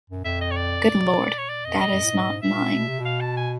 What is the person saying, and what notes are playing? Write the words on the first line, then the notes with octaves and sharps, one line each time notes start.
Good Lord! That is not mine!
F#2
F2 E5
D#5
C#5
D5
C#5
D5
F2 D#5
D#5
F#2
A2
G#2
A#2 E5
B2
C3
B2
F5
A5
G#5